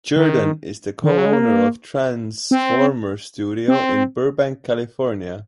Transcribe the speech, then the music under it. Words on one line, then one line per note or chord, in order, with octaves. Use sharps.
Jerden is the co-owner of Tranzformer Studio in Burbank, California.
D#3
D#3
F3
F#3
G#3
A#3
C4
C4